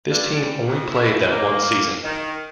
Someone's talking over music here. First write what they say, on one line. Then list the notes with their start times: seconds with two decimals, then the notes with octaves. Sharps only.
This team only played that one season.
0.10 G2
0.33 G3
0.67 F2
0.90 E4
1.30 A#3
2.04 D#3